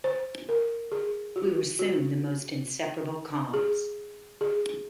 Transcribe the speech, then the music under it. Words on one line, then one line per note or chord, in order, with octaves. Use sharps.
We were soon the most inseparable cons.
C5
A#4
G#4
F#4
F#4
G#4
G#4